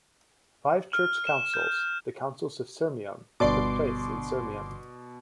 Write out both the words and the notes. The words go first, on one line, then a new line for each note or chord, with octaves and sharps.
Five church councils, the Councils of Sirmium, took place in Sirmium.
F6
E7
G6
G1 B2 D5 C6 D6